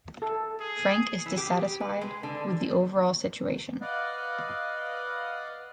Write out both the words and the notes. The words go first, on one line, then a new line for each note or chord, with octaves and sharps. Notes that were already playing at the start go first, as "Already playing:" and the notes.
Frank is dissatisfied with the overall situation.
A4
G#4
E3
G4
B4
G#3
D3
B4 D5 D#5 F5 F#5